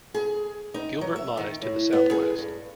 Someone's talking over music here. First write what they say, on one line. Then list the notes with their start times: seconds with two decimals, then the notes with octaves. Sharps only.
Gilbert lies to the southwest.
0.14 G#4
0.74 D#4
1.01 F#3
1.16 E5
1.37 D#3
1.62 A2
1.93 B3
2.11 G#4
2.38 G2